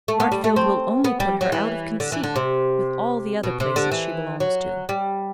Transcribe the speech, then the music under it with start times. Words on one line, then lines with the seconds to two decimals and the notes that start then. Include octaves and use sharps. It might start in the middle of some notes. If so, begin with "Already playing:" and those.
Hartfield will only put her out of conceit with all the other places she belongs to.
0.08 A3
0.20 B3
0.32 G3
0.44 A3
0.56 C4
1.04 B3
1.20 G3
1.41 F#3
1.52 E3
2.00 D3
2.12 E3
2.24 D3
2.36 C3
3.44 B2
3.60 C3
3.76 D3
3.92 E3
4.40 F#3
4.89 G3